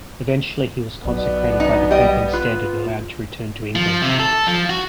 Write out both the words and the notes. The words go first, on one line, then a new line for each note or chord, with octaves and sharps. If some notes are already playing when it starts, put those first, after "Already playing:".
Eventually, he was consecrated by the pope instead and allowed to return to England.
B1 B2 B3 D5
D#4
G3 D#5
F4 B4
F3
C3
A4
F3
F#4